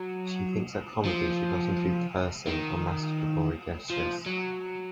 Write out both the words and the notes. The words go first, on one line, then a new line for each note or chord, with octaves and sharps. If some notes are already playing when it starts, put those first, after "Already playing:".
She thinks that comedy should not include cursing or masturbatory gestures.
Already playing: F#3
F3
D#3
F3
F#3